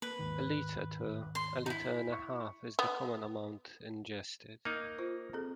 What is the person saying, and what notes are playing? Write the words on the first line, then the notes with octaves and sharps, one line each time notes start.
A litre to a litre-and-a-half is the common amount ingested.
A#3 B4
D#2 G#2 D#3
C6
D#4 E4
C#6
B3
A#3 D#4
F4 C5
C4 G#4 A4